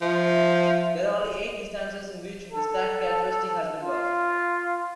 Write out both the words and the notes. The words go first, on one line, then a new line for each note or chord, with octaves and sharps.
There are only eight instances in which the stacked characteristic has been lost.
F3 E5
A4
F4